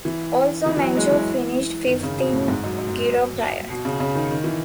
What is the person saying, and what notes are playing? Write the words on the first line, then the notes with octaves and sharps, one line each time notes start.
Also Menchov finished fifth in Giro prior.
E3
E3
E3
F#3
G#3
E3
D#3
C#3
B2
A2
G#2
F#2
F#2
B2
C#3
C#3
D#3
D#3
E3